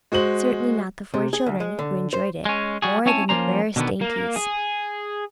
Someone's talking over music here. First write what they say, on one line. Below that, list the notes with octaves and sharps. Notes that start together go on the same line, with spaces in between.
Certainly not the four children, who enjoyed it more than the rarest dainties.
G#3 F#4 C5 F#7
C3
G#4
D2
G#3
D3
C5
G#3 C#4
G3 F#4 G#4
C4 C#4 E4 C#5 G#5 A5
F3 A#3 C#4 C5 A#5
B2 D3 D#3 B3
A#3
G#4